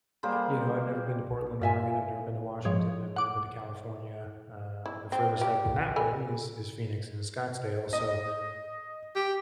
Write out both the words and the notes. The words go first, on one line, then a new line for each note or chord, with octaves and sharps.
you know, I've never been to Portland, Oregon, I've never been to Washington, I've never been to California, uh, the furthest I've been that way is is Phoenix and Scottsdale, so
G3 A#3 G#4 C5
G2 F4 E5 G#5
G#2 F3 C#5
F#5 D6
E4
C4
F4 G4
A4 G#5 B5
D#5
G4